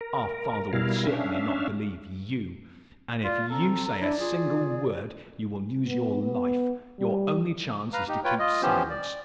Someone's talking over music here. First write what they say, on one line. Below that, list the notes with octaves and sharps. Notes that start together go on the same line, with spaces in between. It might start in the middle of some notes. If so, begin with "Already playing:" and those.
Our father will certainly not believe you, and if you say a single word you will lose your life; your only chance is to keep silence.'
A#4
B2 G3 E4 A#4 F5
C#4 D4 E5 F5
F4 D5
C4 A4 A#5
D4 E4 D5
F4 G#4
B3
B3
G3
B4 F5 A#5
D#4 G4
F4 B4 C#5 G5
F4 D#5
E3 F3 B3 C#4 G4 C5
D5